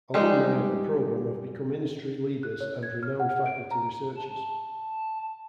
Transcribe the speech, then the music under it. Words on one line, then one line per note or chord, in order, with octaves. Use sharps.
Alumni of the program have become industry leaders and renowned faculty researchers.
G3 G#3 D#4
F#6
C#5
G#6
F6
F#5
D7
A#5
A5